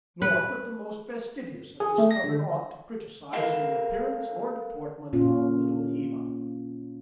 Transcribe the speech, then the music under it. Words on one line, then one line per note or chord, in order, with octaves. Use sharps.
Nor could the most fastidious have discovered aught to criticize in the appearance or deportment of Little Eva.
B4
G#4
A3
A#6
D3
A4 A#4 F5 F#5
A#2 C#4 F4